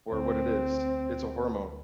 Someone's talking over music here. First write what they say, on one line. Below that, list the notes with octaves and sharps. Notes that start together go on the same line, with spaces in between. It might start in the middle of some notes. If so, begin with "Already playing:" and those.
or what it is? It's a hormone.
D2 C4